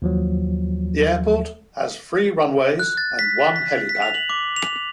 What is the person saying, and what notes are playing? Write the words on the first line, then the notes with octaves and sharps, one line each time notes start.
The airport has three runways and one helipad.
D#2 F3 F#3
F#6
A6
B6
B6
B6
F7
F#7
D6
F7